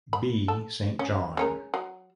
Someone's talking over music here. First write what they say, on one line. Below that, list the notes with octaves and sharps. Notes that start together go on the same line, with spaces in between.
B. Saint John.
B5
A4
C#4
G#3 C#4 A#4
F#3